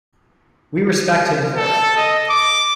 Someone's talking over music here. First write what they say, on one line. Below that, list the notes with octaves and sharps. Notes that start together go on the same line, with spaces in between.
We respect him for it.
A4
D#5
D6